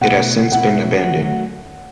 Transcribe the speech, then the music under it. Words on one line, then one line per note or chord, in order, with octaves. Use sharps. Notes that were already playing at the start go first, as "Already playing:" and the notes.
It has since been abandoned.
B2 A3 E4 F#5
B2 A3 E4 F#5
F#3 A3 F#4